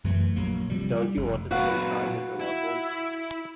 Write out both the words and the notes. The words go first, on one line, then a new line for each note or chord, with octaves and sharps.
Don't you want to spend time with your loved ones?
F#2 E3 A3
A#1 F#3 A#3
C3 F3 G3
G3
F1
A#2 F#3 F#4 B4 F5
E4